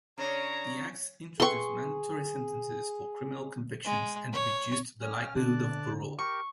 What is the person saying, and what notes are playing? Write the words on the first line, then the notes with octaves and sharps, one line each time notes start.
The Acts introduced mandatory sentences for criminal convictions, and reduced the likelihood of parole.
C#3 D4 C#5 A#5
G#4 A4 B4 G5 C6 C#6
G#3
C#5
C#4 F6
D3 D5 A5 F#6
G4 A#4 C#6